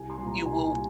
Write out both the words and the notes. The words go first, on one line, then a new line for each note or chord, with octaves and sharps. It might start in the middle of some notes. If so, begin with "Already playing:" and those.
you will,
Already playing: C2 G#5
C6
A#2 G3
A#5
C2 G#5
G#5
A#2